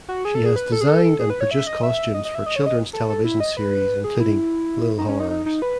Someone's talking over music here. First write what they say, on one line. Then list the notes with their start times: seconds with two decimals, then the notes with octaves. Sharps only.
She has designed and produced costumes for children’s television series including L’il Horrors.
0.09 F#4
0.25 G#4
0.35 A4
0.46 G#4
0.56 B4
0.72 A4
0.81 G#4
0.87 A4
1.19 G#4
1.30 B4
1.41 C#5
1.51 E5
1.67 D#5
1.83 E5
2.14 D#5
2.25 D#5
2.35 E5
2.46 D#5
2.56 C#5
2.66 D#5
2.93 A4
3.10 A4
3.25 E4
3.40 D#5
3.57 B4
4.04 G#4
4.20 E4
4.98 D#4
5.09 C#4
5.20 D#4
5.30 D#4
5.46 D#4
5.62 B4